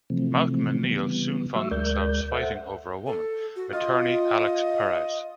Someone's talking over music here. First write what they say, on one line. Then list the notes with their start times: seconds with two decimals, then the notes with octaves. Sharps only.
Malcolm and Neil soon found themselves fighting over a woman, attorney Alex Perez.
0.10 C3 E3 F3 A3 C4
0.83 C#3 E3 G3 B3
1.56 F#3 A3 F#4 E5 C#6 E6
1.71 D2 G#3 A#4 D5 G6
2.32 A4 C5 E5 F#5
3.06 A4
3.56 F#4
3.73 F4 D#5